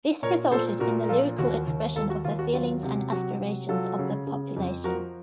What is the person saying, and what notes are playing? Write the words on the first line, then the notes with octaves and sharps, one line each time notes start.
This resulted in the lyrical expression of the feelings and aspirations of the population.
A#2 A#4 C#5
A#2 A4 C5
A#2 F#4 A#4
A#4
F3 F4 A4
D#2 F#4
D#2
D#2 F4 A4
F#4
D#2 F4
F#4
F#3 F4
C3
F#3 F#4
C3
F#3 F4 A4
C#3
C#3
F2
F3 F#4 A#4